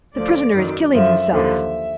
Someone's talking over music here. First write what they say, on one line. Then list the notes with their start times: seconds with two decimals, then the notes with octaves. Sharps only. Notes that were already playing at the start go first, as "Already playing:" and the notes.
"The prisoner is killing himself!"
0.14 D2 D3 F3 D5
0.54 F#2 D#3 F#3
0.94 F#2 D3 F3 E5
1.33 D#2 D3 F3 E5